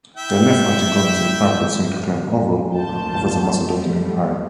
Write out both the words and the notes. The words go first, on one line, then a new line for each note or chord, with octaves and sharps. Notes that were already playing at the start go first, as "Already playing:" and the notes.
This left Antigonus in prime position to claim overall rule over the Macedonian empire.
E4 E5 G5
A1 D2 A#3 F4 A5 G6
F3 G3 A3